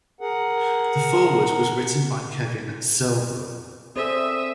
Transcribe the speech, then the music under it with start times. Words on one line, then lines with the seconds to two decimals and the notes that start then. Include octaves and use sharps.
The foreword was written by Kevin Sorbo.
0.21 G#4 A#4 F#5
3.96 C4 G#4 A4 C5 D5 E5 D#6